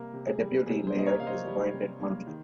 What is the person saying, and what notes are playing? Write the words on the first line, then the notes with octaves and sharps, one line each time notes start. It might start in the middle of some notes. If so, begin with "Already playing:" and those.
A deputy mayor is appointed monthly.
Already playing: C3 G3 A#3 A#4
C3
G#4
G3
C3 G#4
G#4 C5
A#3
D#5
A#4 C#5
C3 F5
C5 D#5
G3
C3
A#3
D#3